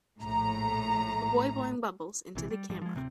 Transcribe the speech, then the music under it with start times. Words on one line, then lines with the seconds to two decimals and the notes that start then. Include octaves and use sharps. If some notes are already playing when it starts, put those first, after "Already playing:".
A boy blowing bubbles into the camera.
0.20 A#1 A2 A#5
2.35 A#1 C3 E3
2.51 G3
2.69 A1 G#2 F3 G3
2.81 F3 G#3
2.95 D1 C3 C4